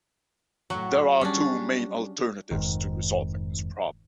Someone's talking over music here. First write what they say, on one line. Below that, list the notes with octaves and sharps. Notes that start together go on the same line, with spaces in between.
There are two main alternatives to resolving this problem.
A2 F#3 F#5
G3 C#4 D4 G#4
F1 G#2 D#3